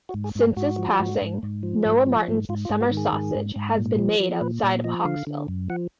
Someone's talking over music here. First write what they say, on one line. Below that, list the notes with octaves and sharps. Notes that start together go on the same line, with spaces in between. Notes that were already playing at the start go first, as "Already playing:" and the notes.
Since his passing, Noah Martin's summer sausage has been made outside of Hawkesville.
F#4
G#2
G#4
G#2
G#4
G#2 F#4
F3
G#2
G#2
G#2
F3
G#2
F3
G#2
G#2 F4
F4
G#2
F#4
D#3
G#4
G#2
G#2
G#2
A#2
F3
F3
A#2 B4
A#2 D5
F3 D#5
D3 F5
D3
F#2
F3 F#5